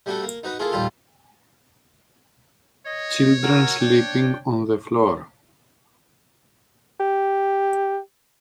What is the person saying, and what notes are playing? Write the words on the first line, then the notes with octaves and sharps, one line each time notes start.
Children sleeping on the floor.
G3 A3 D4 F#4 A4
A#3
D#4 F#4 B4
A#3 E4 F4 G#4 A4
A#1 D#2 G3 F4 G4 A4
C#5 D#5
F#4 A#4 E6
D4 G5
G4